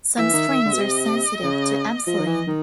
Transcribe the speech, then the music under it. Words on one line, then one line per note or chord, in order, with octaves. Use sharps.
Some strains are sensitive to ampicillin.
E3 E5
D#3
D#3
D3
B2
C3 D#5
C#3
F3 D#5
D#3
E3
D#3